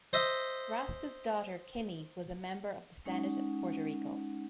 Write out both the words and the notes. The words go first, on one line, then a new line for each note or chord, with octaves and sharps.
Raschke's daughter, Kimmey, was a member of the Senate of Puerto Rico.
C5 D#5 E5
G#3 C#4 D#4 F#5